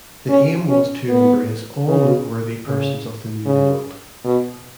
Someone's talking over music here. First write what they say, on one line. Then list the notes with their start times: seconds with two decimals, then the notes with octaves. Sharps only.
The aim was to embrace all noteworthy persons of the New World.
0.29 C#4
0.69 C#4
1.09 B3
1.88 C#3
2.67 C#3
3.45 C#3
4.24 B2